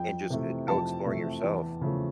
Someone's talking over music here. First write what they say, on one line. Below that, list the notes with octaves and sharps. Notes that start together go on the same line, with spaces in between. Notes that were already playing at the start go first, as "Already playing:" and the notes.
and just g go exploring yourself
Already playing: F2 G5
C3 E3 A3
F2 A5
C3 E3 A3
E2
C#3 F3 A3